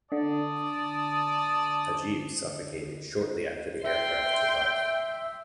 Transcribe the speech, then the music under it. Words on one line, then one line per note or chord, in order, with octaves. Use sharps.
Ageeb suffocated shortly after the aircraft took off.
D3 D5 A5 D#6
E5 G5 C6